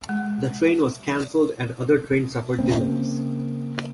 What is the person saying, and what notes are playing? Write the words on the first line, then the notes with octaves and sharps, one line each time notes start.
The train was cancelled and other trains suffered delays.
G#3
C#3 A#3 C4